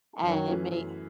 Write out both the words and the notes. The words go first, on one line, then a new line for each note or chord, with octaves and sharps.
And it make
F#2 D#3 F#3
E3 A3 C#4
F#2